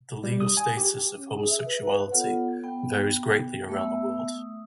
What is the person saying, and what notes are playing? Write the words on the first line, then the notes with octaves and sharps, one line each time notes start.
The legal status of homosexuality varies greatly around the world.
G3
D#6
G#5
G4
C#4
G#4
E5
B4
B4
B3 F4 A4 C#5 F#5
B3 G5
A3 B3 E5 E6
D#6